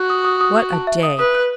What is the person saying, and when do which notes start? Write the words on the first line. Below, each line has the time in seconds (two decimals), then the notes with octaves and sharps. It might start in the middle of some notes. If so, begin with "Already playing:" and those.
What a day!
Already playing: F#4 F#6
0.10 D#6
0.25 D#6
0.41 D#6
0.56 F#6
0.73 A5
0.87 E5
1.03 D#6
1.19 B4 D#6
1.35 F#6